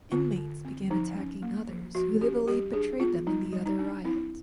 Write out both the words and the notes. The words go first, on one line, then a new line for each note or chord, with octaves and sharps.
Inmates began attacking others who they believed betrayed them in the other riot.
D3 F4
D3
C4
F3 D#4
C#4
A#3
F3
F3 F#4
C#4 G4
G3 G4
D4 G#4
B3 F4
G3 D#4
G3
D#4
D4
C4 E4